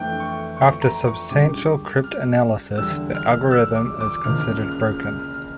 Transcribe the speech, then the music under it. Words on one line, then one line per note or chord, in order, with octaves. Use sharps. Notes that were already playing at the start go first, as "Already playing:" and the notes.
After substantial cryptanalysis, the algorithm is considered broken.
Already playing: F2 E3 A3 D4 G5
C#6
C#6
A#5
C#6
C#2 C#3 G3 D4 D6
F6
E2 D3 G3 E6
F6
E6
D6
D6
C#2 C#3 F3 A#3 F6
F6
F6
F6
F6
F6
F6
F6